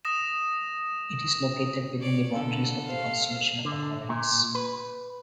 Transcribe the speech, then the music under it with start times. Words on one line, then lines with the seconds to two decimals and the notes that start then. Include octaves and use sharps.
It is located within the boundaries of the constellation of Aquarius.
0.05 D#6 A#6 E7
2.00 C#5 D5
2.33 B2 D3 A4
2.89 G4 C5 F5
3.65 D3
4.09 A#2
4.55 B4